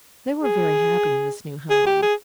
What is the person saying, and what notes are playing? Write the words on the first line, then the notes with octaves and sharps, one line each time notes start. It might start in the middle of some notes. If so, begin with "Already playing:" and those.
They were very happy in this new home.
G#4
G#4
G4
G#4